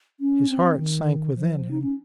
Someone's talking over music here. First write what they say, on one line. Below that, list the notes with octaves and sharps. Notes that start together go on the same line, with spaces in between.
His heart sank within him.
C#4
C4
D#3
F3
D#4
C#4